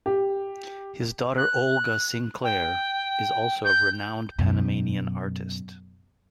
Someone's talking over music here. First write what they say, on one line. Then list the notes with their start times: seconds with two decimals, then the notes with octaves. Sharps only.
His daughter Olga Sinclair is also a renowned Panamanian artist.
0.06 G4
1.37 F#6
2.44 G5
3.64 G6
4.38 F#2 B2